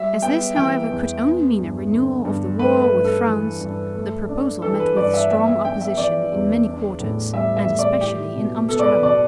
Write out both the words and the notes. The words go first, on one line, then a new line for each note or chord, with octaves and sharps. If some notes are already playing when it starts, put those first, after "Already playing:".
As this, however, could only mean a renewal of the war with France, the proposal met with strong opposition in many quarters, and especially in Amsterdam.
Already playing: G3 E5
B3 G5
E3 G5
E2
B3
G2
D3
G2
A3 B4
B4
G2
A4
E3
G2
A3
D4
E3 A4
B4
G2 D5
E5
B3 E5
E5
D4 G5
E5
E3 D5
E2
D4
A2
G3 E5
E5
A2
D5
E4 G4
B2
B3 A4
D5
B4
B2 D5